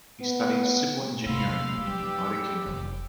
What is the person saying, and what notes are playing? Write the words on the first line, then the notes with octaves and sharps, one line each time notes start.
He studied civil engineering in the United Kingdom.
B3
E2 C3 F5 B5 C6 E6
D#4 G4 B4 D5
F1